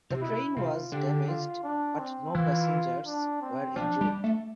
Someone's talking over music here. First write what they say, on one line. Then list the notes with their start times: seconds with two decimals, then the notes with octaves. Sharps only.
The train was damaged but no passengers were injured.
0.10 C3
0.22 B2 E4
0.56 C3 F4
0.92 D3 G4
1.28 F4
1.64 D4
1.99 C4
2.35 E3 F4
3.06 D4
3.42 C4
3.76 F3 D4
4.01 G3
4.24 A3